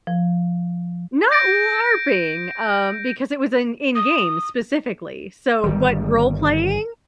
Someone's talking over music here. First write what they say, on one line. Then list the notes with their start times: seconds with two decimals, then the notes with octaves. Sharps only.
Not LARPing, um, because it was an in-game specifically. So what role playing
0.07 F3
1.31 G6 A#6 D7
3.95 D#6
5.64 G1 D#3 G3